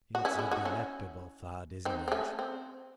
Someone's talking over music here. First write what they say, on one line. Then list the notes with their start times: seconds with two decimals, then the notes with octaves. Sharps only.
It's a delectable thought, isn't it?
0.15 F#4
0.25 C#4 E4
0.39 C#4 E4
0.51 D#4 F#4
0.65 C#4 E4
1.85 C4 D#4
2.08 C4
2.12 A3 C#4
2.39 C4